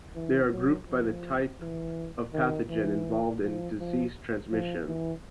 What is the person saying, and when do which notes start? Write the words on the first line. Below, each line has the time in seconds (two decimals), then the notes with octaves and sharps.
They are grouped by the type of pathogen involved in disease transmission.
0.15 E3
0.52 F#3
0.88 F3
1.61 E3
2.34 D#3
2.70 E3
3.43 F3
3.79 F3
4.52 F3
4.88 E3